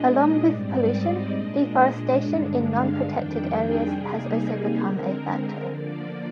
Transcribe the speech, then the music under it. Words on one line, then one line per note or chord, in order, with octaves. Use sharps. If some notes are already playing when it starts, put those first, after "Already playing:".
Along with pollution, deforestation in non-protected areas has also become a factor.
Already playing: A#2 G#3 D4 D#5
G#2 G3 C4 D5
D#5
A#2 G#3 D4
G2 D3 G#3 D4
F5
F2 D#3 G3 D4 G5
G#4
C3 G3 A#3 D#4 G#4
G#4
D3 G#3 C4 A#4
D3 F3 A#3 D5